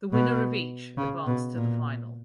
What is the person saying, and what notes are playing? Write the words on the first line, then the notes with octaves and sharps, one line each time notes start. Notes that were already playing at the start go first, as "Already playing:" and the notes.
The winner of each advanced to the final.
B2
C#3
B2
A#2